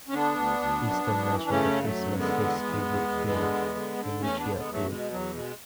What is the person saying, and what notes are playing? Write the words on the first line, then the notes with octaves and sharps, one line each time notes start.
Heston mentioned that this was his favorite film in which he appeared.
C#4
D3 B3 D4
D2
D2
F#2
F#2
E3
D4
C#3 A3 C#4
F#2
F#3 A3
F#2
D3 G#3 B3
E2
E2
E2
E2
D3
E2
D3
D3
E2 A3 C#4
B3 D4
D3
G#3 B3
E2
F#3 A3
B2 G#3
E2 F#3
B2 G#3